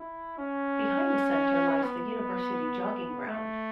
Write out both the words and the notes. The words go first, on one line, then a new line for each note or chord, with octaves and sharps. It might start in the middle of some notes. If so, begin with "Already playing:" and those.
Behind the center lies the university jogging ground.
Already playing: E4
C#4
B3
A3